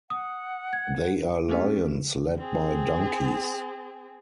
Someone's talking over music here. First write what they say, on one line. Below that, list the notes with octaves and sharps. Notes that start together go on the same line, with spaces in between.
They are lions led by donkeys.
F#5 D#6
G#6
A3 A#3 C4 C#4 G4 A4
C4 G#4